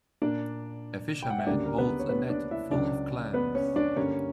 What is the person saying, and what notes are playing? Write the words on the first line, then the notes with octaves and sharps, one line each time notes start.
A fisherman holds a net full of clams.
A#2 A#3 D4 D5
G5
F#5
E5
D2 C#3 G3 A#3 D4 D5
A#4
B3 B4
C#5
B3 B4
D4 D5
E4 E5
C#2 C#3 F#3 D4 D5
B3 B4
C#4 C#5
D4 D5
G2 D3 A#3 C#4 C#5